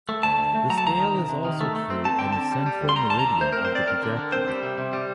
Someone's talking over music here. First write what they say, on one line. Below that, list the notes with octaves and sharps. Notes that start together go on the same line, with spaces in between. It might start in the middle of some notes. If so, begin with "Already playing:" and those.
The scale is also true on the central meridian of the projection.
A3
D2 A5
D2
A3
F#3 A#5
A5
D2 A#5
D#3
C3
C3
D#3
A3
A3
C4
C4 A5
D3 G5
C4 A5
G3
G3
D2
C6
G3 A#5
D2 A5
A#5
D3
A3 C5
C4 A#4
C5
C4 D5
C4 A#4
D3
D3
C4 C5
G3
C3
C3
G3